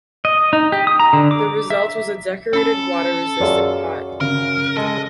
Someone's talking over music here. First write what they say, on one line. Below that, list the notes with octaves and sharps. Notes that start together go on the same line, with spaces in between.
The result was a decorated water resistant pot.
D#5
D#4
G4
D#6
A#5
D3
D6
E5
C#4 A4 A5 B5
F#2 F4 G#4 C#5 D5
C#3 A#4
G#3 A4 D#5